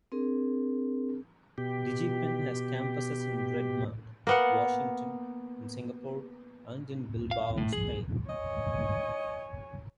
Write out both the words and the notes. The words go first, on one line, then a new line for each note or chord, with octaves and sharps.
DigiPen has campuses in Redmond, Washington, in Singapore, and in Bilbao, Spain.
C4 D4 G#4 A#4
B2 G4
A#3 B3 F#5
F5
A2
G#4
C#5 D#5 G#5